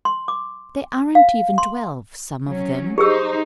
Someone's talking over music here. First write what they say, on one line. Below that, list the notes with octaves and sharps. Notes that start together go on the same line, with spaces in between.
They aren't even twelve, some of them.
C6
D6
F5
C6
F#3 C#4
D#4 G4 G#4 C5 E6